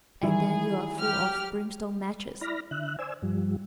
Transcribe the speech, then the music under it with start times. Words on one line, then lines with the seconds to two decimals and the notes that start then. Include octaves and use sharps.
And then you're full of brimstone matches.
0.23 D#3 E3 G3 E4 G#4
0.99 G4 F6
2.41 E4 D5 B5 F6 A#6
2.71 D3 E5 F#6
2.99 C5 D5 G#5 E6
3.22 G2 F3 G3